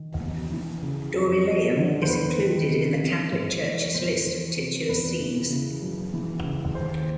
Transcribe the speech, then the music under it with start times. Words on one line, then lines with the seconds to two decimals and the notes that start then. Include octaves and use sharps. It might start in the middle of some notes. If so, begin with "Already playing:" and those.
Dorylaeum is included in the Catholic Church's list of titular sees.
Already playing: D#3
0.21 E2
0.52 E3
0.82 C#3
1.14 F2
1.45 F3
1.77 D3
2.02 C5
2.07 E2 B4
2.39 D#3
2.71 C3
3.02 E3
3.32 G#2
3.63 E3
3.83 C#5
3.95 E2 C5
4.27 E3
4.57 C3
4.89 E2 B4
5.20 E3
5.50 C#3
5.82 F#2
6.14 E3
6.45 C#3
6.75 D#2 C5